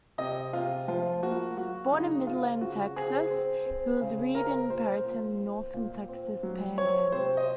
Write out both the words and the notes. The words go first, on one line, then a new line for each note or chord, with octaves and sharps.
Born in Midland, Texas, he was reared in Perryton in the northern Texas Panhandle.
C3 D#5
C3 F4
F3 F4
A#3 F#4
F#3 F#4
C#3 D#4
C4 F4
C#3 F#4
C4 G#4
C4
C4
C#3
C4 A#4
A#2 C5
A#2
C4
A#2
C4
F#3
C4 C#5
C3 C5
D#5